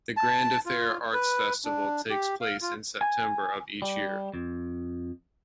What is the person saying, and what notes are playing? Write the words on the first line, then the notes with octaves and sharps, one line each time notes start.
The Grand Affair Arts Festival takes place in September of each year.
A5
F4
B4
D4
G4
F5
F4
G#5
G3
F2